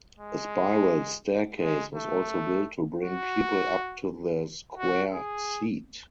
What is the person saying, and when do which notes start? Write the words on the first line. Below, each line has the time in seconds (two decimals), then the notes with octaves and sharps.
A spiral staircase was also built to bring people up to the square seat.
0.19 G#3
1.60 G#3
1.96 A3
3.02 F#4
4.78 F#4
5.13 G#4